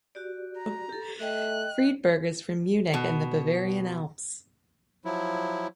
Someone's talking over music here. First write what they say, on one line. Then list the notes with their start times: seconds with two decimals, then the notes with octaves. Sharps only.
Friedberg is from Munich and the Bavarian Alps.
0.15 F#4 G4 D5
0.57 A#5
0.89 G4 A4
1.21 A3 D#5 G5 F#6
2.94 B2
5.05 F3 F#3 E4